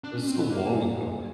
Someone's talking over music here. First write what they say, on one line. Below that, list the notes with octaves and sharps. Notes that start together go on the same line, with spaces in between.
It's so long ago.
D4
C#4
C4
B3
A#3